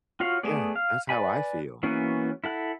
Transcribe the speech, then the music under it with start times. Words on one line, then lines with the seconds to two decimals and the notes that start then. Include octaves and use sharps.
Yeah. That's how I feel.
0.20 F4 F#4 C#5 F5
0.43 A3 B3 G#4 D5
0.75 F5
1.09 B4 D5 G#5 B5
1.83 E3 A#3 B3 C#4 F#4
2.44 E4 A4 F#5